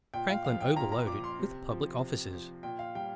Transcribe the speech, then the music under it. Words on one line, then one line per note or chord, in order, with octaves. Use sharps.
Franklin overloaded with public Offices.
A#2 G5
F5
F3 F5
G5
A#2 A#5
A#5
F3 D6
C6
C3
F3
C3
F3
A#2 G5
F5
G3 G5